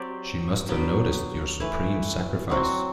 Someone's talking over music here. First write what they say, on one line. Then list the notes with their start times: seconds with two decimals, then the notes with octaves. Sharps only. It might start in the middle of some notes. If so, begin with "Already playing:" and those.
She must have noticed your supreme sacrifice.
Already playing: F#3 C4 G4 D5
0.69 F#3 B3 D4 G4
1.60 E3 A3 E4 B4
2.50 F#3 C4 F#4